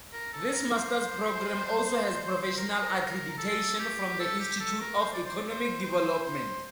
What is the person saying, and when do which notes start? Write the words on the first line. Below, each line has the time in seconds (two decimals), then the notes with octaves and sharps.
This Masters programme also has professional accreditation from the Institute of Economic Development.
0.13 A#4
0.34 A4
0.53 A#4
0.74 C5
2.57 A#4
2.69 C5
2.82 A#4
3.38 A4
3.79 G4
4.20 A4
4.40 G4
4.60 A4
4.81 A#4
5.01 C5
5.13 D5
5.26 C5
5.37 D5
5.50 C5
5.82 C5
6.23 C5